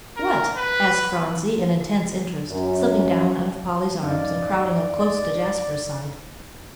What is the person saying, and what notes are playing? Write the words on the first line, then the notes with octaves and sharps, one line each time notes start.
"What?" asked Phronsie in intense interest slipping down out of Polly's arms, and crowding up close to Jasper's side.
A#4
B4
F#2
F#2 D#4 D5 F5